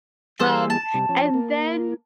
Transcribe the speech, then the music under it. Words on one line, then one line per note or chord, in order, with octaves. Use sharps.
Um, and then
E3 G3 G#4 A4 C5
A5
C3 G3
F3 C#4
A#3